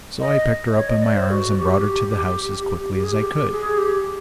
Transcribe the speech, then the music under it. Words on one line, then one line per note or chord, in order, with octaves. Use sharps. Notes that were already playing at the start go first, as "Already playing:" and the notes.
So I picked her up in my arms and brought her to the house as quickly as I could.
D#5
C#5
D#5
D5
C5
F#4
G4
G4
G#4
G4
G#4
G4